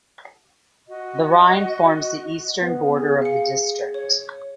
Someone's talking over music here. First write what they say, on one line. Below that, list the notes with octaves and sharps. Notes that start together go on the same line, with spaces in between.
The Rhine forms the eastern border of the district.
F#4 D#5
B3
G#4
F5 C#7
C#5